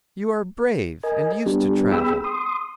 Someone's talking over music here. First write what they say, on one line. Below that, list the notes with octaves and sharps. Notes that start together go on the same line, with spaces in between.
You are brave and used to travel.
A#4 D#5 G#5
G3 B3 D4 G4
B3 G#4 G5 B5 E6
C6 D#6